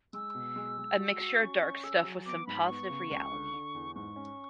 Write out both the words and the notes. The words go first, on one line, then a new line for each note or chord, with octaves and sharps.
A mixture of dark stuff with some positive reality.
G#3 E6
B2
G#3
G#3
F#4
F#4
C#4 C#6
C#4 C#6
G#4 E6
F#3
B3 D6
G#2 B5
B3 C#6
C#3
C#2
D3
D3
E2
G#2 C#6
C#4